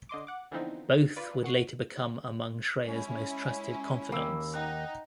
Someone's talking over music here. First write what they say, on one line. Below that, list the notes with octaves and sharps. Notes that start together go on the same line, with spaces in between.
Both would later become among Schreyer's most trusted confidants.
D3 D#5 C6 D6
F#5 D6
D3 E3 F3 B3 C4 D#4
F4 B4 D5
A#2 F#5 C#6 C7
G#3 C#4 E4
D#2 A#3 B5 E6
D#4 F#5 G5 F#6